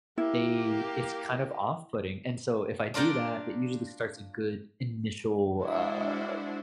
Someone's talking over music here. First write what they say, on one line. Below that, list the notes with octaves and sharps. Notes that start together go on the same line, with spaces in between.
they it's kind of off putting, and so if I do that, that usually starts a good initial, uh,
A#3 E4 G4
D4 F4 A#4 D5 G5
G#3 D4 E4 F#4 C5